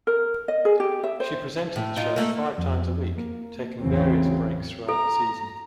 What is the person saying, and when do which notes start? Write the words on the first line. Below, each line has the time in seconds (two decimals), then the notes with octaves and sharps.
She presented the show five times a week taking various breaks throughout the season.
0.07 A#4
0.48 D#5
0.65 G#4
0.80 G4
1.04 E5
1.20 C5
1.76 A2
1.96 D#4 F4
2.16 A3 A#3
2.58 F2
3.18 A#3
3.81 A1 E2 C#3 E3 F#3 C4
4.89 A4 A#5